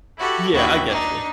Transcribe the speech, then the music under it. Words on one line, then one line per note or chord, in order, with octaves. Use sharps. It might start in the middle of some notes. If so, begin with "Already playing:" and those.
Yeah, I get you.
E4 F#4 G4 A4
D#2 D4 E4 F#4 G5
D4 D#4